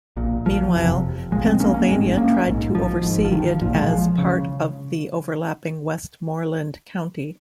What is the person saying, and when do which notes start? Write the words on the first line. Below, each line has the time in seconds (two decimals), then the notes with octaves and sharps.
Meanwhile, Pennsylvania tried to oversee it as part of the overlapping Westmoreland County.
0.17 A#1 A#2
0.46 F3
0.74 F#1 F2 C3
1.31 A#1 F3 G#3
1.35 A#2
1.45 G#3 C4
1.60 A#3 C#4
1.74 A#3 C#4
1.89 G#1 G#2 G#3 C4
2.17 A#3 C#4
2.46 A#1 G#2
2.75 F3
3.03 G#1 G#2
3.25 F3
3.32 D#3
3.46 F3
3.61 A#1 A#2 F3
3.75 F3 G#3
4.18 C#3